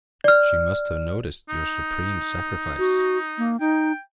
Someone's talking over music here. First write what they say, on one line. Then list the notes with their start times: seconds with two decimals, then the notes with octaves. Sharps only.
She must have noticed your supreme sacrifice.
0.24 D5 F6
1.49 D#4
2.79 F#4
3.38 A#3
3.60 D#4 G5